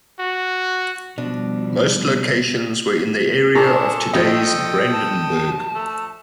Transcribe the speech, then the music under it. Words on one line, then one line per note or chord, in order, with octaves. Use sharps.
Most locations were in the area of today's Brandenburg.
F#4
F2 B2 G3 D4
A#2 D4 G#4 A4 A5 A#5 C#6
A#1 F3 F4 D#5 G5 D#6
A5
A3